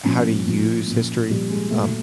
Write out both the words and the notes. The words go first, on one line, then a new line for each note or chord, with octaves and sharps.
how to use history, um,
A#2 F3 C#4
A#2 F3
A#2 F3
A#2 F3 G3
G#3
A#2 F#3 A3